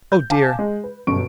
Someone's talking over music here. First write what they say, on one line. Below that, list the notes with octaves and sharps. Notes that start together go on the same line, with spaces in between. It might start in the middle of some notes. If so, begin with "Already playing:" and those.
Oh! dear.
G6
F5 G#5 A5 D6
G#3
B4
G1 F#2 B2 C#6 D7